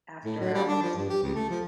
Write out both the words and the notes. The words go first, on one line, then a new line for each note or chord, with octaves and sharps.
after hours.
A2
F#3
G3
D4
F3
G2
G4
C#2
A3
F3